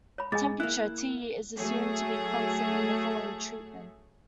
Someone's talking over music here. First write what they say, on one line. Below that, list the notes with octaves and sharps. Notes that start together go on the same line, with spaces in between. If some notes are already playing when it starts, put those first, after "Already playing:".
Temperature, "T", is assumed to be constant in the following treatment.
C#5 B5
G#2 G#4 D#5 G#5 A6
A#3 E4 F#6
F#3 A3 G#4